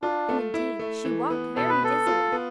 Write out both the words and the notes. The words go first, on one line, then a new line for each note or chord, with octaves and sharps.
And indeed, she walked very dizzily.
D4 F4
A3
E4
A3
E3
B3
B2 A4
B4
B3 A4
F4
B3